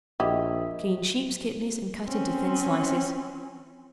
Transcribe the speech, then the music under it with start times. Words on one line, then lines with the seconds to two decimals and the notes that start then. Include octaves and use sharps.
Clean sheep's kidneys and cut into thin slices.
0.20 A#1 E4 G4 D#5 E5 D#6
2.04 C4 C#4